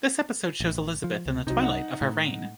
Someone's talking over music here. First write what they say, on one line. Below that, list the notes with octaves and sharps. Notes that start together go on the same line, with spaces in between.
This episode shows Elizabeth in the twilight of her reign.
A1
F3
C#2
C2 C3 F#3 D#4
D#4 F#5
A2